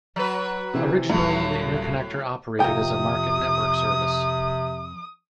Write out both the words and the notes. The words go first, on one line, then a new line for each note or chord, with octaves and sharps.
Originally, the interconnector operated as a market network service.
F#3 B4
C3 E3 C4
D#1 A2 F#3
F2 C3 A#4 G5 D#6